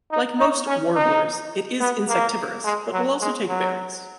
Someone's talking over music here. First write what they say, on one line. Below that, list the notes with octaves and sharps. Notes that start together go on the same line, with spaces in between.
Like most "warblers", it is insectivorous, but will also take berries.
D#4
D#4
C#4
D#4
B3
A#3
G#3
F#3
G#3
F#3